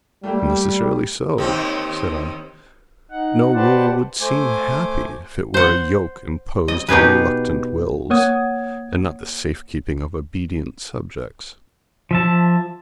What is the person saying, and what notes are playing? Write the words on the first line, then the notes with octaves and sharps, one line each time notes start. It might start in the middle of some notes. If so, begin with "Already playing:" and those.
'Necessarily so,' said I; 'no rule would seem happy if it were a yoke imposed on reluctant wills, and not the safe-keeping of obedient subjects.'
G3 A3 A#3 G4
D#2 D#3 C4
D#4 F#5
G4 B4 C5 D5 F#5 A5
A3 C5 G#5 D6
C5 F#5
D#5
B2 D#4 G4 G#4 B4
A#3 C#5 F#5 D#6 G#6
F3 E5 A5